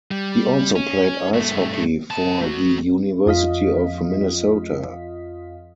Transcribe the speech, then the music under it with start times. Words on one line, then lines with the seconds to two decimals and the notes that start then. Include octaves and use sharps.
He also played ice hockey for the University of Minnesota.
0.11 G3
0.75 C#4
1.33 G2 A3
2.11 B3 A5
2.41 A3 F#4
3.26 F2 F4 D#5 F5 B6